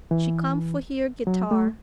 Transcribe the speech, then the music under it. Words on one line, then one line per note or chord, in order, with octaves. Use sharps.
She come for hear guitar.
E3
F#3
A3